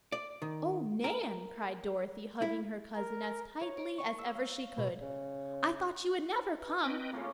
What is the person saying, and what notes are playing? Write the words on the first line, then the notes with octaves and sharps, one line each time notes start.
"Oh, Nan!" cried Dorothy, hugging her cousin as tightly as ever she could, "I thought you would never come!"
D5
D#3
A#4
E4
A#4
C#5
D7
C#6
E6
F5
B2
C#3
B4
C4 B4 D#5 G5
C#3 A3 A#3 F4